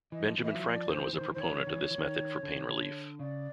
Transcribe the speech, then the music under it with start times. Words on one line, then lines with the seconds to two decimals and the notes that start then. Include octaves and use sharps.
Benjamin Franklin was a proponent of this method for pain relief.
0.12 E3 D#5
0.30 F3
0.38 E3
0.44 D#5
0.51 F#3 E5
0.64 F3
0.70 D5
0.89 D#3 C5
0.97 E3
1.05 D#3
1.13 E3 C5
1.21 D#3
1.29 E3
1.34 D#3 C5
1.40 E3 C#5
1.52 D#3
1.60 E3
1.67 D#3
1.75 E3
1.83 D#3
1.91 E3
1.98 D#3
2.43 D3
2.55 D#3
2.68 D3
3.19 C#3 D5